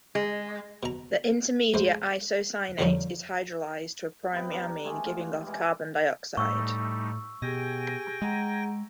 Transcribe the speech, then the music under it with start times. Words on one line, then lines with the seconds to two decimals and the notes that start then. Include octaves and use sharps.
The intermediate isocyanate is hydrolyzed to a primary amine, giving off carbon dioxide.
0.15 G#3
0.83 B2 A#5
1.74 A1 G#2 C5
2.79 F2 D3 F3 G3 C#4 D#4
4.32 C3 B3
4.50 D4 A#4
4.84 G#3 A3 G4 G#4
5.06 F4
5.46 E3 G#3
6.37 A2 G3 A3 D#4 C#6 E6
7.42 B2 G4 G#4 G5 G#5 A#6
8.22 G#3 G#4 F#5 A#5